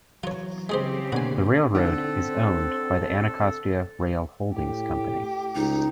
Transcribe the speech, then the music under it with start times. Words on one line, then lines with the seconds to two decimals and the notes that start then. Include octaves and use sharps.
The railroad is owned by the Anacostia Rail Holdings Company.
0.23 E3 F#3 F4 C#5
0.69 C#3 G#3 C4 G4 G#4 C5
1.12 B2 D3 A#3 F#4 G#5
1.75 D3 C4 A4
4.54 A2 G4
5.55 C#2 D#4